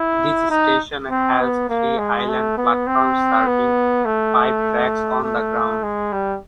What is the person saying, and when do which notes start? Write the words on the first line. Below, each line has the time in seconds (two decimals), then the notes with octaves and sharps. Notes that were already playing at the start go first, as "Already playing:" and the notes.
This station has three island platforms serving five tracks on the ground.
Already playing: E4
0.50 D#4
1.10 C4
1.40 B3
1.69 A#3
1.98 G#3
2.28 A3
2.57 B3
2.87 C4
3.46 B3
4.05 A3
5.23 A3
5.83 G#3
6.12 G3